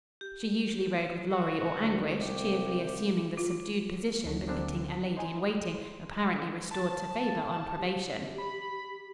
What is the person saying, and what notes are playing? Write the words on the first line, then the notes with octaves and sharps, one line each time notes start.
She usually rode with Lorry or Anguish, cheerfully assuming the subdued position befitting a lady-in-waiting apparently restored to favor on probation.
G4
F#4
D2
C2 G4
F4
D2 D3 F#3
A#3 C4 D4
D#4 G#5 C6
A5
G4
B5